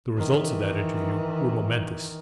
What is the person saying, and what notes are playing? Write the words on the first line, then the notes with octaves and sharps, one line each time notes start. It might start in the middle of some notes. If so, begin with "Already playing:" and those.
The results of that interview were momentous.
D#3 E3